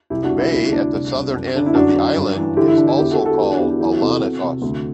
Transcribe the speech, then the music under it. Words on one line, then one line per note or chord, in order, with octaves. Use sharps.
The bay at the southern end of the island is also called Alonnisos.
C2 E4 G4
D4 F#4
C2
E4
D2 E4
D2 D4
C2
C2
F#2
D3 D4
E4
F#2 D4 F#4
F#2
G2
E3
D3 E4 G4
E4
D3 D4
E4
E2 E4 G4
F#4 A4
D3
F#4 A4
E2 E4 G4
D4 F#4
E2 E4 G4
E4 G4
E3 E4 G4
C3 F#4 A4
C3
C3
D2